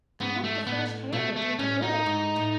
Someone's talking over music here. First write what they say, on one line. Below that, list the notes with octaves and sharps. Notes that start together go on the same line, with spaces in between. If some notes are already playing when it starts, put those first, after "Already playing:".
"I hope the fresh h'air will do her good."
G#2 B3
A3
A2 B3
B2 A3
A3
A2 C#4
D#4
G#2
A2